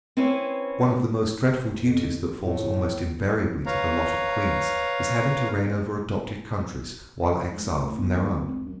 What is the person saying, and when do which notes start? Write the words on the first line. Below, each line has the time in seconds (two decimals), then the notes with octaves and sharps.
One of the most dreaded duties that falls almost invariably to the lot of queens is having to reign over adopted countries while exiled from their own.
0.17 C4 C#4 E4 B4 C5
1.76 F2
2.43 A2
3.66 B4 C#5 F5 A#5
7.52 G#2
7.65 A1
7.81 A2
7.97 G1
8.14 D#2
8.31 D1
8.46 G#1
8.65 F#2